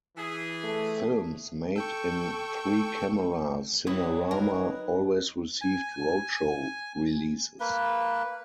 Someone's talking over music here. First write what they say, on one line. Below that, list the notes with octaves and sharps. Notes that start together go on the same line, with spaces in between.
Films made in three-camera Cinerama always received roadshow releases.
E3 G#4
A3
A4 G5 C#6
F#3 E4 G4 C#5 D#6
D#4 A#4 B4
G#5
A#3 B4